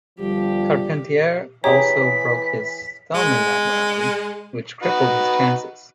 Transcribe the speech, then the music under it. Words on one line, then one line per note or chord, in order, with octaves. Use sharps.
Carpentier also broke his thumb in that round, which crippled his chances.
G1 F3 G3 G4
E3 G4 G#4 C#5 A#5 B6
G#3
D#4 F#4 B4